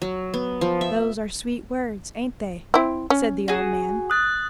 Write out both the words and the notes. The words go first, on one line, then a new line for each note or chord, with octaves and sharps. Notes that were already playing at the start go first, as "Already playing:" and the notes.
'Those are sweet words, ain't they?' said the old man.
F#3
B3
F3
E5
C4 E4
C#4
F#4 G#4
D#6 F#6 A6